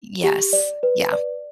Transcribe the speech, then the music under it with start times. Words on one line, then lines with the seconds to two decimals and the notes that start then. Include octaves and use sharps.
Yes. Yeah.
0.24 G4
0.53 D5
0.83 B4
1.13 D5